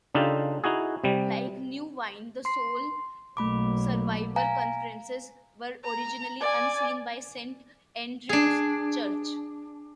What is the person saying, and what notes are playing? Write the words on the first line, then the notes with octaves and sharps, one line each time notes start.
Like New Wine, the Soul Survivor conferences were originally overseen by Saint Andrew's Church.
C#3 D4 D#4 F4 G4 A4
D#4 E4 F#4 G#4
C3 G3
C6 C7
B1 F#3 A3 A#3 B5 D6
F5 G#5 A#5
A#5
D5 G#5
D4 G#4